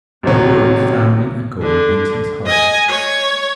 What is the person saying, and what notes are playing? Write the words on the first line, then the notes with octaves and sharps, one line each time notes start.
Her words found an echo in Vincent's heart.
A1 D#2 C3 F#3
D3
D#5 G#5
C#5